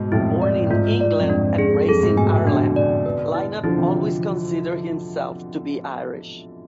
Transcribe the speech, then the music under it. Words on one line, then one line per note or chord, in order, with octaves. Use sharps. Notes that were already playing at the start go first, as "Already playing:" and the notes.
Born in England and raised in Ireland, Lynott always considered himself to be Irish.
Already playing: G#2 B2
F2 A2 E4
D5
A2
G#2 F4
D5
F2
G#2 D4
G#4
F2 A4
G#2
G#2 B2 G#5
A2 C3
B2 D3 D4
D5
B4
E4
D3 F3 E4
C3 E3